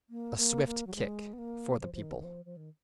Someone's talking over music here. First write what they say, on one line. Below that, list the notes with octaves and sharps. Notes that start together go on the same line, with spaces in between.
A swift kick for the people.
A#3
A#3
A#3
F#3
G#3
B3
A#3
F3
F3
D#3
D#3
F3
F3
D#3